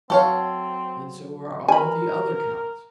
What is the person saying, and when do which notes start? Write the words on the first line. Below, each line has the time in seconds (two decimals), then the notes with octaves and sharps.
And so are all the other cows.
0.10 F#3 C4 F#4 A4 C#5 F5
1.68 A#4 G#5 B5